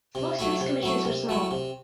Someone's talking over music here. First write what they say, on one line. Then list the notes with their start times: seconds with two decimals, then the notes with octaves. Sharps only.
Most of his commissions were small.
0.15 C3
0.39 F#3 A3 E4
0.61 C3
0.83 F#3 A3 E4
1.05 C3
1.29 F#3 A3 E4
1.51 C3